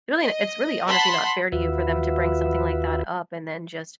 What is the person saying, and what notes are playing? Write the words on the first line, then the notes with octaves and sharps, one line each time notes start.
really n it's really honestly not fair to you for them to bring something like that up and then just
D#5
F#5 A5 B5 C6
D#2 F4 F#4 B4 E5